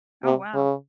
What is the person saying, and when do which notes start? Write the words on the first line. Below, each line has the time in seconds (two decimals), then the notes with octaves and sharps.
Oh wow.
0.24 C3
0.54 C#3